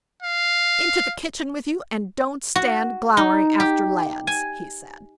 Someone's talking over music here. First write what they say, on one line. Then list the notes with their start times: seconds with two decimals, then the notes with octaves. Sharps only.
'Into the kitchen with you, and don't stand glowering after lads', he said.
0.23 F5
2.56 F#4
3.17 D#4
3.60 G4
4.27 G#5